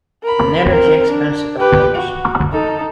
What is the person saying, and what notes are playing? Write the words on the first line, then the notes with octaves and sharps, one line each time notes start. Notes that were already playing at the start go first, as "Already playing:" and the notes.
An energy-expensive approach.
A#4 B5
C4 A#4
D4
G4 B4
F#4
D#4 A4